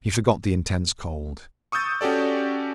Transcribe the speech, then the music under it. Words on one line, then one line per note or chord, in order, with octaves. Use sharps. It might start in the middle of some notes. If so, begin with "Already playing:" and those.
He forgot the intense cold.
C#6 D#6 E6 G6 A6
C#4 F#4 G4 A4 D5